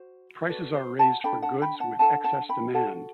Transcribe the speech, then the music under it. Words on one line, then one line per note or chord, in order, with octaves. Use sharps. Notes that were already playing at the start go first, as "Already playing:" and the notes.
Prices are raised for goods with excess demand.
Already playing: F#4 C5
F#4 A4 B4 D5
C5
F#5 A5
D4 A4 G5 B5
F#5 A5
G5 B5
F#5 A5
D4 A4 F#5 A5
F#5 A5
G5 B5
F#4 A4 F#5 A5